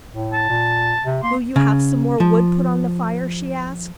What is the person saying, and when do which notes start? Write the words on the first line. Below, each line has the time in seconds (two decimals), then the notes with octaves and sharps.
"Will you have some more wood put on the fire?" she asked.
0.13 A2
0.33 A5
0.49 A#2
1.05 C3
1.23 A#3 C6
1.56 C#3
2.20 F3